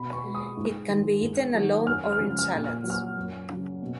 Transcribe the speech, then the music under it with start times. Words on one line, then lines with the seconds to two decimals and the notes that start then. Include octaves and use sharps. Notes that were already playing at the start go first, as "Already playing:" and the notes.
It can be eaten alone or in salads.
Already playing: B2 B5
0.13 C#6
0.24 G#3
0.35 D#6
0.57 G#2
0.89 D#3 G#3
1.21 G#2
1.54 D#3 F#3
1.87 F#2 F6
2.12 F6
2.19 C#3 F3 G#3
2.39 F6
2.51 A#2
2.64 F6
2.84 F#3
2.90 F6
3.17 F#2
3.50 C#3 F#3
3.82 B2